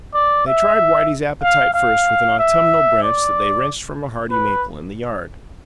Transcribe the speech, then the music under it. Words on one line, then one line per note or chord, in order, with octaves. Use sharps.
They tried Whitey's appetite first with an autumnal branch that they wrenched from a hardy maple in the yard.
D5
E5
F5
F5
E5
D5
B4